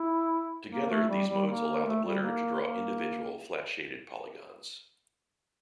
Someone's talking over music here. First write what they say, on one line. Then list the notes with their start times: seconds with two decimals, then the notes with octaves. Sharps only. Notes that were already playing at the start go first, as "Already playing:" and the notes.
Together, these modes allow the blitter to draw individual flat-shaded polygons.
Already playing: E4
0.71 A#3
0.90 A3
1.09 G3
1.27 G3
1.47 A#3
1.85 A3
2.04 G3
2.23 A#3
2.61 A#3